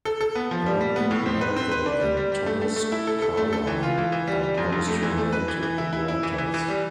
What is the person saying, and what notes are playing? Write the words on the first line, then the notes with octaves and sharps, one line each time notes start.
Herman Melville and Thomas Carlyle are post-Romantic writers.
A4
A4
B3
F3
G3
G3
B3
A2
C4
B4
C4
B4
D4
G3
G3
G3
A3
A3
A3
E4
A4
A4
A3
A4
E3
F4
E3
E3
G3
G3
F2
F2
A3
E3
A3
B4
E3
E3
E4
E4
E4
E3
E3
E3
G3